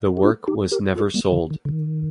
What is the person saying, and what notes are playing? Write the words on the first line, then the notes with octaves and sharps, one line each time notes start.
The work was never sold.
G4
D4 F4
D#4 G4
G4 A#4
F4 A4
G3 A#3
D3
D#3
D3
D#3